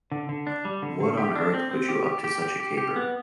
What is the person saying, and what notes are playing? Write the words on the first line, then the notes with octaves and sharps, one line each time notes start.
What on earth put you up to such a caper?
D3
D3
D4
G3
D3
D3
G4
D4
C4
C4
G4
G4
G4
G4
G4
G4
B3